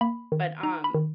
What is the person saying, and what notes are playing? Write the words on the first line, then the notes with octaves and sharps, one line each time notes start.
But, um
A#3 B5
D#3
D#4 A#5
B5
D#3